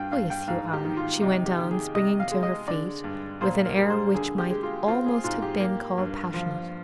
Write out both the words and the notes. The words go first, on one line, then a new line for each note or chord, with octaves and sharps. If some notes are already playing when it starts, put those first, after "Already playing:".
"Oh yes, you are," she went on, springing to her feet with an air which might almost have been called passionate.
Already playing: G2 F5 G5
G2 F5
G5
G#2 F5
G4
D#3
F4
C3 D#4
G4
D#3
G#4
C3 D#5
F5
G#3
D#5
D3 D5
G2
A#2 C5
A#4
G3
C5
D3 G#4
G4
G#3
F4
C4 F4
G#4
G#2 F4
G4
A#3
G2
F3